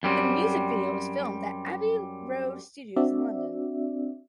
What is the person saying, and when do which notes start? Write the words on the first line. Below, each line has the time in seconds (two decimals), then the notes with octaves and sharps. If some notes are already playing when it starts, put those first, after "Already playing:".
The music video was filmed at Abbey Road Studios in London.
0.03 F#2 G3 C4
2.96 C4 D4 F#4 D5 E5